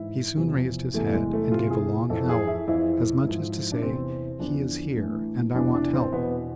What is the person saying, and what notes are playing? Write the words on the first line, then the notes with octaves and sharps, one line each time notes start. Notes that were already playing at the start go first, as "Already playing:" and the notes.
He soon raised his head and gave a long howl, as much as to say he is here and I want help.
Already playing: G#2 E3 E4
E2 C3 F3
E2 C3 E3 A3
G#3
A3
E2 C3 E3 F4
G#4
F2 E3 A4
G#4
E4
F2 E3 E4
G#2 F3
D4
E2 C3 E3 C4
E2 D3 F3 D4
A2 E3
E2 C3 E3 D4
D4
C4
E2 B2 B3